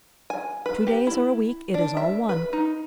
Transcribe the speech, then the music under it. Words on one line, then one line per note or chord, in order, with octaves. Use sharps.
Two days or a week, it is all one.
G#5
B4
G4
E4
D4
E5
B4
D#4